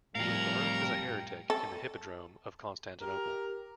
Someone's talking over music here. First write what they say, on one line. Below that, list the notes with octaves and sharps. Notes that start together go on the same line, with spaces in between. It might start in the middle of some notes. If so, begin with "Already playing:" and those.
He was burned as a heretic in the hippodrome of Constantinople.
A2 C3 F3 G3 A#4 F5 G5
A4
G4 A#4 A#5